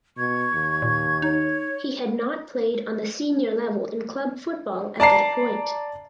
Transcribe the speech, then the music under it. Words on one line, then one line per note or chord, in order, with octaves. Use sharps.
He had not played on the senior level in club football at that point.
B2 C#6 G#6
D#2
A#2
D#4 C#5
D5 A5 A#5 C7